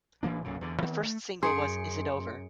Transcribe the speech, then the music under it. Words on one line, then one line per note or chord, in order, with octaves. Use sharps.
The first single was Is It Over?
A1 E3 A#3 D4
B1 F#2 A#2 C#3
E2 D3
D#3 B3 C4
A3
F#2 C#4 G#4 C6 C#7 D7